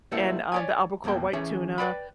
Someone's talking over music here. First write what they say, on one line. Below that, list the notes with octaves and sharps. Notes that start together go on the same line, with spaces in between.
and, um, the Albacore white tuna,
G3 A3 A#3 C4 E4 F#5
C#5 D5 G#5
B1 F2 B2 A#3 G5
E3 C#4 G#4 E5
B4 D5 G5 B5